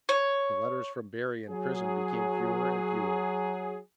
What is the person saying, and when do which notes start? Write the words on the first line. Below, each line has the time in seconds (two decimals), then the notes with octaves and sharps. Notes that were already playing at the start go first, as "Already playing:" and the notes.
The letters from Berry in prison became fewer and fewer.
0.09 C#5
1.49 F#3 G#4